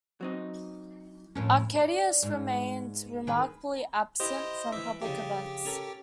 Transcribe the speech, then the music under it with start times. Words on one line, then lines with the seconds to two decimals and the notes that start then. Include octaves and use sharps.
Arcadius remained remarkably absent from public events.
0.21 F#3 C4 D#4
1.35 F2 A2 C#4
1.75 D4
2.23 G#2
3.27 D#3 G#4 B4
4.20 E4 G4 C5 D#5
4.72 E3 E5 D6
5.02 F2 C#3 G4
5.65 C#4 A4 A#4